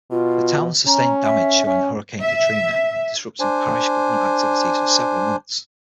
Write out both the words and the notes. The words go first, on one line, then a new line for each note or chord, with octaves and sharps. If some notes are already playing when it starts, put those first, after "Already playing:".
The town sustained damage during Hurricane Katrina, disrupting parish government activities for several months.
B2 F4
C#4 A#5
E5
C#4
E5
D4 C5 G#5